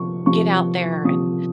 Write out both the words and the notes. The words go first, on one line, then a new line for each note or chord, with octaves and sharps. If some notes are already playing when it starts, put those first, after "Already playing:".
get out there and,"
Already playing: C3 F3 C#6
C3 F3 C#6
C3 F3 D#6